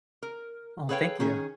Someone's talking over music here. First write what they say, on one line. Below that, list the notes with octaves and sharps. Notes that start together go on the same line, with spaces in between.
Oh, thank you.
A#4
G#4 A4 B4 C#5 F5 G5
D#3 C#4 G#4